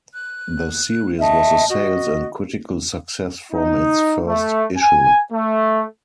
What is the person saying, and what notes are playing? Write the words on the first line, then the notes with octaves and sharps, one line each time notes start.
The series was a sales and critical success from its first issue.
F#6
D#5 E5 A5
F#4 D#5
D#4
A3
G#5
A3